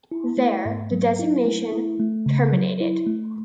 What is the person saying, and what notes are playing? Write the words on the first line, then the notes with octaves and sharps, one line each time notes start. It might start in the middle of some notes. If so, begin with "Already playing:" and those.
There the designation terminated.
E4
A3
G#2
F#3
E4
A3
E4
A3
C#3
F#3
E4
A3